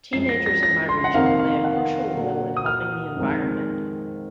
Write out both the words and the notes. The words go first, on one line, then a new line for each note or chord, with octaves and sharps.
Teenagers in my region play a crucial role in helping the environment.
F#2 F3 G#3 C7
A#6
A#6
A#6
C6
F#5
F2 C3 D#3 A#3 F5
F5
F#5
A#2 F#3 A#3
D#6
F6
F2 D#3 G#3